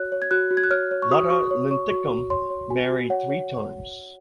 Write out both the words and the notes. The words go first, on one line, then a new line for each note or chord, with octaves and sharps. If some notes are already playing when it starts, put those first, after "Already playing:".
Lotta Linthicum married three times.
Already playing: F#4 C#5 F#6
C#5
G#6
F#4 F#6
F#4
G#6
F#6
C#5 F6
C#5
C#6
F#4 D#6
F#4 C#6
C#5
C#5 C#6
F#4 C#6
F#4
C#5 C6
C#5
F#4 G#5
F#4
C#5 F#5
C#5